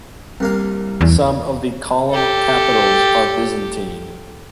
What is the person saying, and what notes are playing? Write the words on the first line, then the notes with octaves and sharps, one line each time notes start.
Some of the column capitals are Byzantine.
C2 A#3 F5
E2
G4 A4